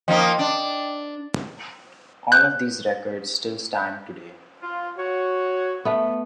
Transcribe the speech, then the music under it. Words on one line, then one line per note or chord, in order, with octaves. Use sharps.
All of these records still stand today.
F3 A#3 D#4 D#5 G5
D4
F#6 G6
F4
F#4 C#5
A3 B3